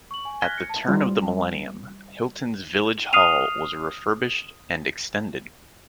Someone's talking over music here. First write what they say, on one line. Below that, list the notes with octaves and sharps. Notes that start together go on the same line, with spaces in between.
At the turn of the Millennium, Hilton's village hall was refurbished and extended.
C#6 F#7
G#5
F6 F#6 G#6 A#6 B6 G7
C#7
A5
E3 G3 F4
D#6 F6 C7 D#7 F7